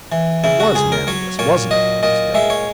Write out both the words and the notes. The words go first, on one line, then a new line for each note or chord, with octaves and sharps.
"It was Manlius, wasn't it?" urged the other.
E3
C#3 E4
F#4
C#2 G#4
A#4
F#3 C#5
A#2 C#5
F#3 D#5
A#2 D#5
G#3 E5
C#5